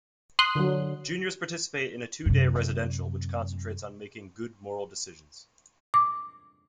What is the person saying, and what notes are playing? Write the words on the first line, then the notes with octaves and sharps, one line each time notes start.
Juniors participate in a two-day residential which concentrates on making good moral decisions.
C6 D#6 F#6
D3 F#3
F#2 C3
D6